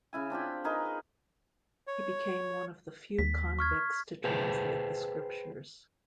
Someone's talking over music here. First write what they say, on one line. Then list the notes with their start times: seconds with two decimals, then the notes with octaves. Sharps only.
He became one of the few convicts to translate the Scriptures.
0.13 C#3 E4 G#5
0.30 C4 D4 F4 G4
0.64 D#4 G#4 A#4 B4
1.87 C#5
3.19 D#2 B6
3.59 C#6 F6 G#6
4.24 G#4 B4 C5 G5 A5